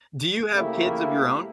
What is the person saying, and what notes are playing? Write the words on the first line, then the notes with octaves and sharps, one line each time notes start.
Do you have kids of your own?
C#3 A3 A#3 E4 G4